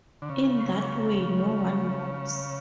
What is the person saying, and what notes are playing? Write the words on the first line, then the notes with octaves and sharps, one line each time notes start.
In that way, no one knows.
D3
C#3